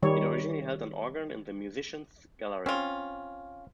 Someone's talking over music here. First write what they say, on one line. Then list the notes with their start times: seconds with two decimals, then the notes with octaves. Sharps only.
It originally held an organ in the musicians gallery.
0.03 D#3 G3 C#5
2.66 C4 C#4 F4